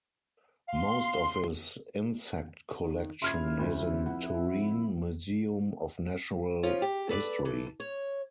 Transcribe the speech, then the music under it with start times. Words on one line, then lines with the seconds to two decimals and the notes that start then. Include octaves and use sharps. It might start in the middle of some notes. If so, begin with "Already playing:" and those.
Most of his insect collection is in Turin Museum of Natural History.
0.69 F5 C6
2.83 D#3
3.22 C#3 E4 C6 F6 G#6
3.59 D2
4.06 F2 F#5
6.63 F3 C#4 F4
6.82 G4
7.09 A4 B4 C#5 D5
7.45 E3 A4
7.80 C#5